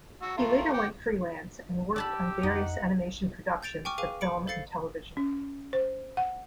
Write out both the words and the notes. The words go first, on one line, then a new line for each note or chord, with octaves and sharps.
He later went freelance and worked on various animation productions for film and television.
F#4 E6
A3 F4 A#4
F#5 G5 D6
G4 D5 A5 B5 E6
F2 D#4 F#5
G6 A6 D7 F7
G5 G#5 C#6 D6 F6
G#4 B4 F5 G#5 D6 D#7
C5 B5 C#7 D7
A4 C5 F5 A6 C7 C#7
C#4
C5
F#5